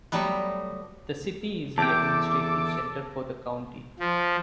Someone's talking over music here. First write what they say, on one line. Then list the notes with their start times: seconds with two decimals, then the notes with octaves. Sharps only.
The city is the administrative center for the county.
0.12 F#3 G3 A3 B3
1.78 E2 A4 G5 A5 D6
3.99 F3